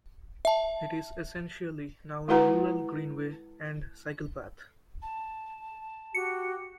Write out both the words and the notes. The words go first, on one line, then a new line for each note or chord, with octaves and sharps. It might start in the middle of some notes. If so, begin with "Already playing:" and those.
It is essentially now a rural greenway and cyclepath.
E5 A5
G#3 E4 F#4 B4 F#5 A#5
A5
F#4 G4 C#7